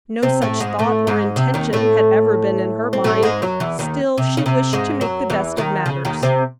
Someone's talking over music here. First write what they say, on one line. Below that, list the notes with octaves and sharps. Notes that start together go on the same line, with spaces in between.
No such thought or intention had ever been in her mind, still she wished to make the best of matters.
C3 C4
A2 A3
G#2 G#3
A2 A3
G#2 G#3
C3
D#2 D#3
A2 A3
C4
A2 A3
G#2 G#3
F#2 F#3
E2 E3
D#2 D#3
C3
C#3
C3
G#2 G#3
F#2 F#3
E2 E3
D#2 D#3
C#3
D#2 D#3
C3 C4